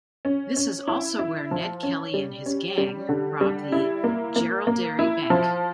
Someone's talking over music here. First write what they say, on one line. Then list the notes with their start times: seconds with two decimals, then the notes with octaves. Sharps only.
This is also where Ned Kelly and his Gang robbed the 'Jerilderie Bank'.
0.25 C#4
0.56 C#4
0.88 E4
1.19 E4
1.51 F3
1.83 C#4
2.14 G3
2.46 C#4
2.78 G3
3.09 D3
3.41 G3
3.72 E4
4.04 A#3
4.36 A#3
4.67 A#3
4.99 E4
5.30 F3